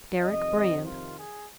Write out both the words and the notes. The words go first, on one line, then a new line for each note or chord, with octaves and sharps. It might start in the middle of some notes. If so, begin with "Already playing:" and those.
Deryck Brand.
F2 C3 D#3 C4 D#5
F4
G#4